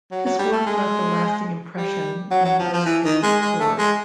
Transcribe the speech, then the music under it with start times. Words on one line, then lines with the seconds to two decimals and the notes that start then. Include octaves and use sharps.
His work left a lasting impression in this elite corps.
0.11 F#3
0.26 F#3
0.39 G3
0.52 A3
0.66 G#3
1.77 G3
2.31 F#3
2.45 F#3
2.59 F3
2.73 F3
2.86 E3
3.04 D#3
3.23 G#3
3.41 G#3
3.59 A3
3.78 G#3